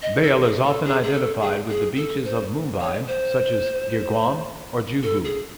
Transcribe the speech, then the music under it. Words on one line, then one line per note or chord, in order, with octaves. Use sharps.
Bhel is often identified with the beaches of Mumbai, such as Girguam or Juhu.
D#5
A4
G#4
A4
G#4
G#4
A4
G#4
G#4
A4
C5
C#5
C5
A4
G#4